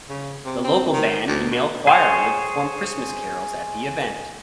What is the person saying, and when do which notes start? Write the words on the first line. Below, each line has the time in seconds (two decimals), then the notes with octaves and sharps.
The local band and male choir will perform Christmas carols at the event.
0.10 C#3
0.45 C3
0.64 C4
0.93 D#3
1.27 D2
1.51 B2
1.87 G#4 C5 C#5